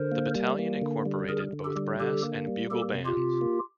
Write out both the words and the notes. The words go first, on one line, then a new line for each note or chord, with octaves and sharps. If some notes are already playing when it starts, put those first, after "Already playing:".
The battalion incorporated both brass and bugle bands.
Already playing: D3 A#4 C5
A#3
G3
A#3
D3
G3
D3 G#4 A#4
D3
G4 A4
G3
D3 G4 A4
A#3
G3
A#3 G4 A4
C3
F4 G4
C3
A#3